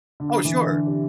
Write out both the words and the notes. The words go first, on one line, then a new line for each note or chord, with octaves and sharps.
Oh, sure.
D3
E3
D3
C3